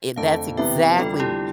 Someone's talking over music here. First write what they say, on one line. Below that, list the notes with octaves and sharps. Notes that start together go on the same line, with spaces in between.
I that's exactly w
F2 D3 A3 F5 A5
C3 E3 B3 E4 G4 E5 G5
F2 D3 G3 F4 A4
E4 G4